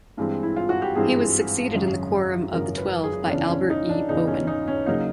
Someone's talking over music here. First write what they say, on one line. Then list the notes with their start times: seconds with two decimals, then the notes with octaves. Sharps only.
He was succeeded in the Quorum of the Twelve by Albert E. Bowen.
0.17 G2 E3 G#3 C4
0.43 E4
0.56 F4
0.69 F#4
0.82 G4
0.95 G2 E3 G#3 C4 G#4
1.74 G#1 F#2 C#3 F#3
2.52 G#1 F#2 C#3 F#3 A#4
2.77 B4
3.03 G#4
3.26 C#4
3.30 E2 C#3 E3 D4
3.50 C#4
3.70 D#4
3.89 D4
4.08 E2 C#3 E3 D#4
4.27 C#4
4.47 D#4
4.67 C#4
4.86 C#3 F#3 A#3 D#4